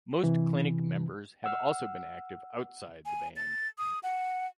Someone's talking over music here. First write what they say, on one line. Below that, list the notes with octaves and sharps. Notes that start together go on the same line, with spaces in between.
Most Klinik members have also been active outside the band.
C3 E3
F#5 E6 F6
G#5
A6
D#6
F#5